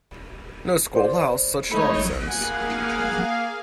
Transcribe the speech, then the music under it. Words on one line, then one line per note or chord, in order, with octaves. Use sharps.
No school allows such nonsense!
C5 D5
G#3 A3 D#4 C#5 B5
A#3 G#4 F5 F#5 G#5